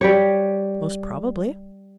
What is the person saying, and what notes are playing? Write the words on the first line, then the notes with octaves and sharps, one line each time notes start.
"Most probably."
G3 G4 C#5